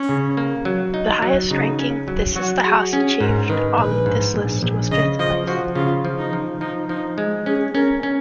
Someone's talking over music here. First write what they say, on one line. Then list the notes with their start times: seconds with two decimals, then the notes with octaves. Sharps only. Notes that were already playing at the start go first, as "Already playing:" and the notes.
The highest ranking "This Is the House" achieved on this list was fifth place.
Already playing: C#4
0.09 C#3
0.37 A#3
0.65 F#3
0.94 D#4
1.22 F#3
1.50 C#3 D#4
1.79 C#4
2.08 F#3
2.35 F#3 F#4
2.64 F#4 G#4
2.93 C#4 G#4
3.20 G#2 A#4
3.49 D#3 B4
3.78 A#1 B4
4.06 G#2
4.34 A#1
4.63 A#1
4.91 C#3 D#5
5.19 F3 D#5
5.47 F3 F#4
5.76 C#3 F4
6.05 F3
6.18 D#4
6.33 F3
6.61 F3 D#4
6.89 F3 D#4
7.18 G#3
7.46 C#4 G#4
7.75 C#4 A#4
8.03 C#4